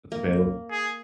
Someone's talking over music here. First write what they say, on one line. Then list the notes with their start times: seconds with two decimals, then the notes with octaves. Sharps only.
that’s available.
0.12 A#3
0.71 G#4